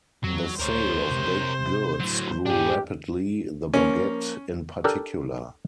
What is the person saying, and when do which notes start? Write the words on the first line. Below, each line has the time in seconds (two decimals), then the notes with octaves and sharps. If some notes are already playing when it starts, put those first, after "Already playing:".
The sale of baked goods grew rapidly, the baguette in particular.
0.24 F2 F#3
0.59 D2 A#4 C5 C#5
1.11 C3
2.00 A2 F#3
2.46 G#2 D4 G4 G#4
3.74 F3 A#3 C#4
4.84 D4 G4 A4 A#4 D5